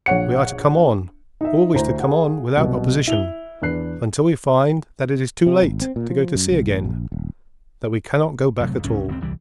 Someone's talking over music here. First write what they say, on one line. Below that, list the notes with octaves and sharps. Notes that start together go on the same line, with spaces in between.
We are to come on; always to come on, without opposition, until we find that it is too late to go to sea again, that we cannot go back at all.
A#1 C#5 F#5 C#7
D#4 E5
D2 E4 C5 A#5
G#4 F5 F#5
C2 B2 F#3
E4 F7 G7
E2 D4 B4 F#6 C7
C3
G#1
C4
A#2
F3
F#2
C2
A1
A#1
D#1
D1 C3 F#3 A3
C#2 G2 A#2 C#4
D1 C#2 C4
D#1 C2 E3 G3